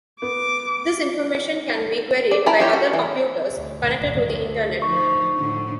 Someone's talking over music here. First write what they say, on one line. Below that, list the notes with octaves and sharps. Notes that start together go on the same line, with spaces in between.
This information can be queried by other computers connected to the Internet.
B3 D6
D5
E4 A#4 A5 B5
E4 F4 G4 C#5
F#4
E3
D2
F3 D#4 C#6
A2 D3